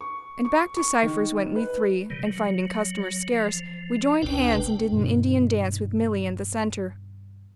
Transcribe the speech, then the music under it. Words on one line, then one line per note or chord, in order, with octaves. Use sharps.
And back to Cypher's went we three, and, finding customers scarce, we joined hands and did an Indian dance with Milly in the centre.
C#6
C#6
C#6
D#3
B4
C3 D#3 G3
F#3
F3
G1 D2 C3 D4 B4 G5
G2 B2 D#3